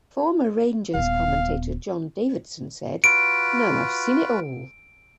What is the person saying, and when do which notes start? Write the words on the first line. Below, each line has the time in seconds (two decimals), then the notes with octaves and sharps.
Former Rangers commentator John Davidson said, Now I've seen it all!
0.94 D#1 B3 F5
3.04 F4 F#4 B4 D7